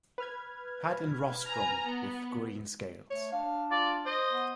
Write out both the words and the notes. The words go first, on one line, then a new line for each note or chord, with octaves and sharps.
Head and rostrum with green scales.
B4 F6 G#6
G#5 A#5
B3
A3 C#5
D4 F5
F4 D5
C5 D#5
B3